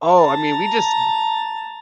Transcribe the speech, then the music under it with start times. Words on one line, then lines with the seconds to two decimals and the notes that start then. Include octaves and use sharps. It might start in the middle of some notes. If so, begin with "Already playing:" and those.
oh, I mean, we just
0.20 A5 A#5